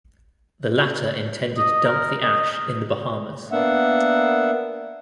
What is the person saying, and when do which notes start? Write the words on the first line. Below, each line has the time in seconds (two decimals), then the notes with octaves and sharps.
The latter intended to dump the ash in the Bahamas.
1.57 D#5
1.85 A#4
2.21 D#5
3.52 A#3 B3 D4 E5 F#5